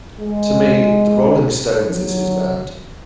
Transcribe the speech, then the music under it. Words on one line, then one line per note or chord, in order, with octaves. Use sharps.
To me The Rolling Stones is his band.
G#3
F#3